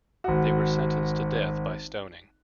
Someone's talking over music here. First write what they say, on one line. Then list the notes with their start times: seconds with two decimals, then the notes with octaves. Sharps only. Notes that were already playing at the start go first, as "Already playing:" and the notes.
They were sentenced to death by stoning.
0.24 G#1 F#4